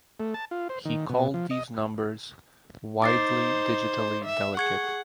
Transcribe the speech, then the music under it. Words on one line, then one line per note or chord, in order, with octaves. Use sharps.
He called these numbers "widely digitally delicate".
A3
A5
F4
C5
D#3
B2
F3
D#5
D#4 C5 D6 A6 C7
E5
G#4 F#5 C#6 G#6 C#7